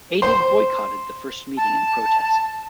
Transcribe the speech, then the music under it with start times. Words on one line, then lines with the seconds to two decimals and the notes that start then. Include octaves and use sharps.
Aidid boycotted the first meeting in protest.
0.22 C5
1.57 A5